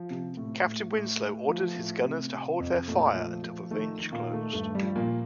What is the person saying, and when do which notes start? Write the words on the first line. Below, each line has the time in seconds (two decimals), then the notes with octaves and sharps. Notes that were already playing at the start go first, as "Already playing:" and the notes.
Captain Winslow ordered his gunners to hold their fire until the range closed.
Already playing: F3
0.10 C3
0.37 A2
0.65 A2
0.93 A2
1.21 A2
1.49 F3
1.76 A2
2.04 C3
2.32 C3
2.60 F2
2.88 A#2 A3
3.15 F3
3.43 F3
3.71 D#3 A3
3.98 D#3
4.12 A#2 A#3
4.26 D#3
4.33 A3
4.53 G2 A3
4.75 G3
4.82 F3
4.96 A#2 A#3